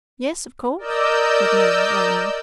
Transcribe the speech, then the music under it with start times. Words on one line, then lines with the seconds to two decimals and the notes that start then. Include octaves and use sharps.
"Yes, of course," said Nan lamely.
0.78 A#4 D5 D#5 E6 G6